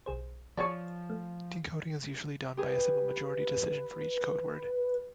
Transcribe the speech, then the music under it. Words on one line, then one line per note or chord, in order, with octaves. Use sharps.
Decoding is usually done by a simple majority decision for each code word.
B1 G#4 C5
F3 G#4 C#5 D5 A5 C#6
A3
G4 G#4 B4